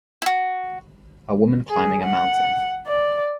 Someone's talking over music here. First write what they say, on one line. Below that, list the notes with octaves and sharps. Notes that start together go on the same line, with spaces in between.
A woman climbing a mountain.
E4 F#4
G#4
F#5
D5